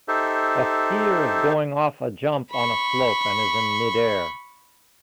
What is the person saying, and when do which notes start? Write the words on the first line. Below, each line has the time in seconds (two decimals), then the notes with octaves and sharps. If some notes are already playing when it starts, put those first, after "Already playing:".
A skier is going off a jump on a slope, and is in midair.
0.08 D#4 G4 A4 C5 E5
2.51 B5 C#6